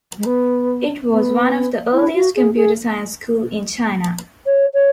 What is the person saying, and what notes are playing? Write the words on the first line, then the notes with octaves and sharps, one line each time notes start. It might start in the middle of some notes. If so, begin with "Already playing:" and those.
It was one of the earliest computer science school in China.
G#3
B3
B3
E4
F#4
G#4
G#4
C#5
C#5